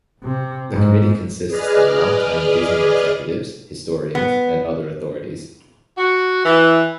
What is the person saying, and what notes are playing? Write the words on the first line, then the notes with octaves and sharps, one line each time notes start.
The committee consists of long-time Disney executives, historians, and other authorities.
C3
G#2
G#4 B4 D5 D#5 F6
B3
F#4
E3